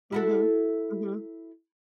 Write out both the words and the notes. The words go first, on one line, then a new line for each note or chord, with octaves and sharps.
Mhm, mhm.
E4 F#4 A4